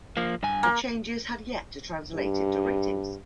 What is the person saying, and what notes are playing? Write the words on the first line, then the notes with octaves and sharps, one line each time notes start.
The changes had yet to translate into ratings.
F3 A#3
G2 G#5
A#3
G2